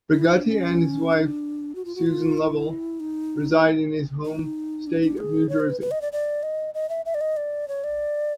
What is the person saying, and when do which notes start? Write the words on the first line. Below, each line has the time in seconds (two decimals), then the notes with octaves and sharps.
Brigati and his wife, Susan Lovell, reside in his home state of New Jersey.
0.13 E4
0.25 D#4
0.37 D4
0.50 C#4
1.13 D4
1.75 F#4
1.85 F4
1.95 F#4
2.06 F4
2.38 E4
3.00 D#4
4.25 D#4
4.87 D4
5.02 D4
5.18 G#4
5.49 C#5
5.60 C5
5.70 B4
5.81 B4
5.91 D#5
6.01 D5
6.12 D5
6.43 D#5
6.74 D#5
6.89 E5
7.06 E5
7.14 D5
7.21 D#5
7.37 D5
7.68 C#5
7.84 D5